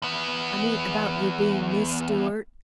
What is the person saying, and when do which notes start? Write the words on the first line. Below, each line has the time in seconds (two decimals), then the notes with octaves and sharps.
"I mean, about your being 'Miss Stewart'?"
0.02 E2 B3